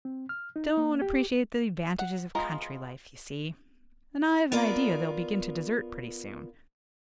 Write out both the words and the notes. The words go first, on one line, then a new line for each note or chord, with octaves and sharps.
Don't appreciate the advantages of country life, you see, and I've an idea they'll begin to desert, pretty soon.
C4
F6
D#4
A#3
G4
F#5
G#3 B3 F4 A#5
B3 F4 A#4 D5